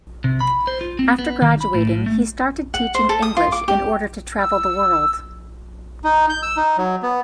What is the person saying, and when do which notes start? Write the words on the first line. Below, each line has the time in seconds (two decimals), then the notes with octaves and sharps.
After graduating he started teaching English in order to travel the world.
0.24 C3
0.41 B5
0.67 C5
0.81 F4
0.99 C4
1.19 B3
1.42 D#3
1.61 B5
1.74 A2
1.89 A2
2.06 A3
2.74 F#5
2.95 C5
3.09 A4
3.22 D#6
3.37 F4
3.52 D6
3.68 G4
4.38 E6
6.04 D#4
6.30 G6
6.43 E6
6.57 D#4
6.78 F#3
7.03 B3